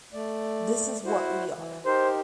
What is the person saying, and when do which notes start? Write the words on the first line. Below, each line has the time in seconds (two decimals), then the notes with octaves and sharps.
This is what we are!
0.13 A3 D5
1.05 E4 F#4 C5
1.55 E3
1.85 D#4 G4 A#4 C5